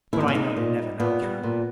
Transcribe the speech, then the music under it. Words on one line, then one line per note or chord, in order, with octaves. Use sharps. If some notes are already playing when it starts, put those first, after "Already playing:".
But, I know, it never now can.
D#2 E4
D#4
C#4
C#3 G#3 D#4
A#2
G3
A#2 B3
G3
A#2